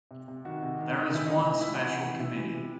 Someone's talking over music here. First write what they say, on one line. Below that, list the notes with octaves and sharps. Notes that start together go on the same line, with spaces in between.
There is one special committee.
C3
C3
D#3 F#4
C3
D#3
D#3
E3 E4
D#4
E3
D#4
A2 D#4
E4
A2
F#4
E3
E3
A2 E4
E3
C3